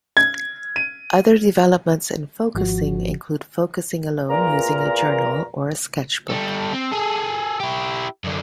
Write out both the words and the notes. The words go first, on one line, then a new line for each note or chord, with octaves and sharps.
Other developments in Focusing include focusing alone using a journal or a sketchbook.
G#6
D#7
G#1 F3 F#4
E2 A#2 A#4 A#5
G3 A4
C4
G#4 A4
E4 G4
F#2 D3